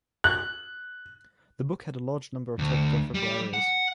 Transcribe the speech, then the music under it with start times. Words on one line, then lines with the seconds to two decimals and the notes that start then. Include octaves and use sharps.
The book had a large number of typographical errors.
0.24 F#6
2.59 D2
3.14 G3
3.54 F#5